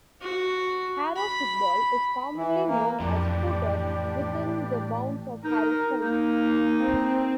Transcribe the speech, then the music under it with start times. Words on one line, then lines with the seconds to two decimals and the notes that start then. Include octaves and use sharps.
Harrow football is commonly known as footer within the bounds of Harrow School.
0.21 F#4
1.16 B5
2.35 E3
2.67 A#3
3.00 F2 A2 E3 D4 G4 D5
5.44 D#4 A#4
6.01 A#3 D#4
6.80 C4